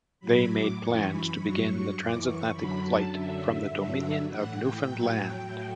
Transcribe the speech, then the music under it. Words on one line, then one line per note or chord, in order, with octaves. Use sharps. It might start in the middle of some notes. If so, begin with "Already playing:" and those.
They made plans to begin the transatlantic flight from the Dominion of Newfoundland.
A2 F#3 B5
D6
F#2 E3 C#6
B5
G2 F#3 C#6
C#6
F#2 E3 D6
C#6
F#2 D3 F#3 B5
A5
F#2 D3 F#3 E5
G2 D3 F#3
A2 E3 F#5
G5
A2 F#3
A2 F#3